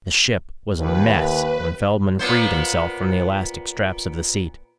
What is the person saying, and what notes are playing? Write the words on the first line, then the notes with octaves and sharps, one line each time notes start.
The ship was a mess when Feldman freed himself from the elastic straps of the seat.
D#2 B4
A#2 B3 C5